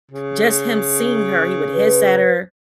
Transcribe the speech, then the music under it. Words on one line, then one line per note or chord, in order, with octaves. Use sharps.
Just him seeing her, he would hiss at her,
C#3
B4